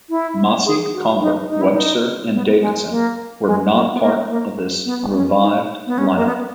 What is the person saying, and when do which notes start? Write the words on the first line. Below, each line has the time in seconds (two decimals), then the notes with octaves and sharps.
Masi, Conger, Webster and Davidson were not part of this revived line-up.
0.10 E4
0.66 G#4
0.94 F#4
1.21 D#4
1.50 D#4
1.61 E4
1.74 D#4
2.33 B3
2.61 G#3
2.89 A#3
3.46 G#3
3.73 A#3
3.93 B3
4.02 A#3
4.29 A#3
4.85 B3
5.13 C#4
5.41 D#4
5.87 B3
5.98 C#4
6.16 A#3
6.26 B3